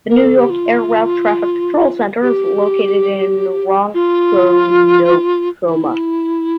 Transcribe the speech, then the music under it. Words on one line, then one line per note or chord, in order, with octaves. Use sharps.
The New York Air Route Traffic Control Center is located in Ronkonkoma.
A#4
A4
G4
F4
G4
F4
E4